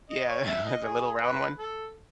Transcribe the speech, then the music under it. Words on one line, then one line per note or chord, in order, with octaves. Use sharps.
Yeah, the little round one?
D#5
C#5
E5
D#5
G#4
B4
A4